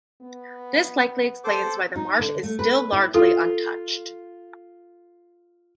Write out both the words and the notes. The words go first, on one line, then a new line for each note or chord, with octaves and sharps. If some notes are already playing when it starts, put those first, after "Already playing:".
This likely explains why the marsh is still largely untouched.
B3
A4 C5 D6
D#4
D3
A3
B4
E4
F4 A4